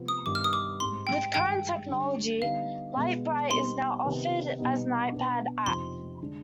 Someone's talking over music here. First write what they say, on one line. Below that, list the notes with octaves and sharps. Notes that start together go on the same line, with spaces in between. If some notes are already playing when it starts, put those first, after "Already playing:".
With current technology, Lite-Brite is now offered as an iPad app.
Already playing: C3 F3 B3
D#6
G2 D#3 B3 D#4 D6
F6
D#6
D6
G#2 G3 C4 D#4 C6
G5
G2 D#3 G#3 G5
D3 G3 D4
D3 G3 B3 D#4 F5
B2 G#3 B3
B2 G3 C4 D#4 C6
C3 D#3 B3
B2 G3 B3 D#4
B2 B3 D4
F2 C3 F3 C4 D#4 C6
D3 G#3 D4